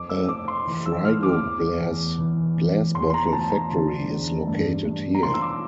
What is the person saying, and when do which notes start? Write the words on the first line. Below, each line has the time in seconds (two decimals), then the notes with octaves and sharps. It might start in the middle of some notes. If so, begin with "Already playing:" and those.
A Frigoglass glass bottle factory is located here.
Already playing: F2 D6
0.09 E6
0.28 F2 D6
0.48 C6
0.67 E3
0.86 E6
1.04 E3 F6
1.23 D6
1.43 E2
1.80 E2
2.18 E3
2.57 E3
2.95 E2 C6
3.10 C6
3.14 A#5
3.33 F3 A5
3.52 A#5
3.71 D3
4.10 E2
4.47 G2
4.86 G2
5.15 A#5
5.23 F3 C6
5.34 E6
5.42 D6